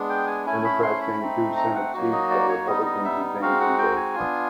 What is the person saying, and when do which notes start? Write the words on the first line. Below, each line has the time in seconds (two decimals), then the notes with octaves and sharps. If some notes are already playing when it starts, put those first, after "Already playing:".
Democrats gained two Senate seats but Republicans retained control.
Already playing: G#3 B3 D4
0.10 G5
0.27 G#5
0.46 A3 C#4 E4 G#5
0.65 B5
0.82 C6
1.01 B5
1.20 A3 C4 D#4
1.57 A#5
1.75 F#5
1.94 F#3 A#3 D#4 F#4
2.12 D#5
2.30 D5
2.49 C#5
2.67 G3 B3 D#4 D#5
2.86 D#5
3.05 E5
3.42 G#3 C4 D#4 F#4 F5
3.60 F#5
3.78 G5
3.97 G#5
4.15 B3 D4 F4